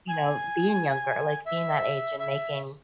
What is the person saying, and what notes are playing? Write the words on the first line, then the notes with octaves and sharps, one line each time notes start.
you know, being younger, like being that age and making,
G#5
E5
E5